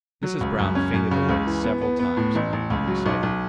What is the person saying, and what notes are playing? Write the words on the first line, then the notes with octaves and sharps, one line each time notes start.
Mrs. Brown fainted away several times under the excitement.
F#3
C#2
F#2
C#4
F#2
C#3
C#2
E3
B3
B3
B3
A2
A1
A1
C#2
F#3
B1
B1